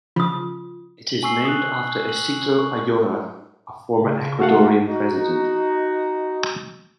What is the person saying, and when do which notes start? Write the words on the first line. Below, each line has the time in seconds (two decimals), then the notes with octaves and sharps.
It is named after Isidro Ayora, a former Ecuadorian president.
0.16 C#3 F3 F4 D#6
1.09 F#7 G7
1.23 G#5 C#6 E6 C7
1.45 D#6 F#6
2.09 F#7
2.59 C#6
4.00 C#3
4.40 A3 F#4 F5 F#5
4.88 D#4 F#4